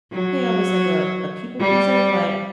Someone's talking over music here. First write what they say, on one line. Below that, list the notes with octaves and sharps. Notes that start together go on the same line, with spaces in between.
say I was like a a people pleaser, but
F#3
G3